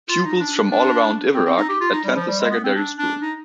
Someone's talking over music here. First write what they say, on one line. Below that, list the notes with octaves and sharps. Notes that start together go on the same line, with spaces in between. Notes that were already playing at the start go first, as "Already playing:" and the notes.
Pupils from all around Iveragh attend the secondary school.
F4
D#4
D4
D4
D4
C4
C4
D#4
G4
F4
D#4
G3
F3
G3
G#3
B3
C4
D4
D4
D#4